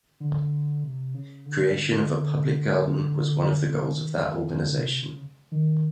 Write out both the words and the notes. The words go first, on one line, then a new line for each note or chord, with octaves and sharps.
Creation of a public garden was one of the goals of that organization.
D3
C3
C#3
D3
D#3
D3
C3
C#3
D#3